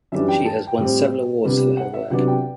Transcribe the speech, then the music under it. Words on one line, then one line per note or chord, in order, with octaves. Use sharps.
She has won several awards for her work.
F#2 E3 G3 D4 E5
G5
A5
G5
A2 G3 C4
C3 G3 B3 D4
F#5
E5
C3 F#3 B3 D4 F#5
G5